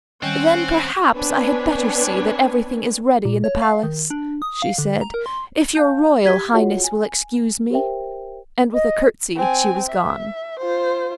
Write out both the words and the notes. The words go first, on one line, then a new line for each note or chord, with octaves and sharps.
"Then perhaps I had better see that everything is ready in the Palace," she said, "if your Royal Highness will excuse me." And with a curtsey she was gone.
D#3 G3 C4 C#4 F#5 G6
B3 C4 D4 B4 C#5 G#5
A#2
C#5
F5
D#3
D4
D#6
F5
D3
A#5
A#4
C6
F5 A5 G6
G4 G#6 B6 D#7 G7
F4 F#4 G#4 C#5 D#5 F#5
G#5
G4 A#4 C5 E5 G5
D#5
C4 G#5
E5
F4 C5